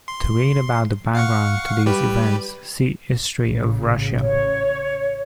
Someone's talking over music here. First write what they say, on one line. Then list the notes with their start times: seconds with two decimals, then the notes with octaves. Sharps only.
To read about the background to these events, see History of Russia.
0.08 C6
1.15 F5 F#5 C#6
1.86 G3 G4 B4
3.45 A1 C#3
4.21 C#5